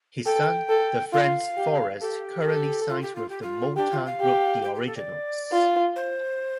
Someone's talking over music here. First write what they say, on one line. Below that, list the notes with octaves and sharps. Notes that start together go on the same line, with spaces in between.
His son, Defrantz Forrest, currently sings with the Motown group The Originals.
A4 G5
A4
F4 F5
G4
G4 A4
A4
F4
G4
F4
G4
F4
D4 G4
F4
F5
G4
G5
G4
A4
D5
F4
C5